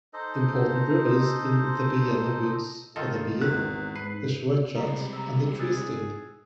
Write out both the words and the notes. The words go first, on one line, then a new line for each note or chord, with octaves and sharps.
Important rivers in the Vienna Woods are the Wien, the Schwechat and the Triesting.
D#4 A4 C5 D#5
G#2 D#3 F4 A4 D#5
G#1 E2 F#6
G#2 B4 C7
C3 G3 G#3 A#5
A#5 E6
G#4 E6 F#6 A6